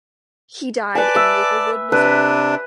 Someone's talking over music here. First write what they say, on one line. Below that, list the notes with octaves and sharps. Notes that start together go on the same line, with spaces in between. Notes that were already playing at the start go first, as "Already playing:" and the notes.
He died in Maplewood, Missouri.
B4 D5 G#5 A5 D6
E5
C3 D4 B4